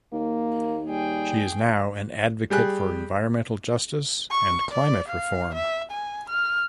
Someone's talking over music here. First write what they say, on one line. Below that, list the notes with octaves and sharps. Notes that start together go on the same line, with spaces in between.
She is now an advocate for environmental justice and climate reform.
D#2 A#3
G3 G#4 G5
G3 G4 G#4 F#6
C#6
D5
F5
E5
G#5
F6